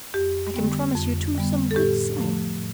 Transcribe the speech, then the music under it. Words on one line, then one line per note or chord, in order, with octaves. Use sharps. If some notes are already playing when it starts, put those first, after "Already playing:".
I can promise you, too, some good singing.
F2 G4
D3 G3 B3
F2
D3 G3 B3
A4
A2 G4
F3 A3
A2